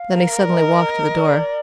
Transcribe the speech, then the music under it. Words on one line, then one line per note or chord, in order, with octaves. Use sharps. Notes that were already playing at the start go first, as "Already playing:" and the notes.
Then he suddenly walked to the door.
Already playing: F5
A#4
D5
D#5
D5